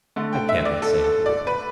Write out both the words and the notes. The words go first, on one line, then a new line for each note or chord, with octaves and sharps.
I cannot say, he replied.
D3 A3
G5
E5
D5
A4
A4
D5
B4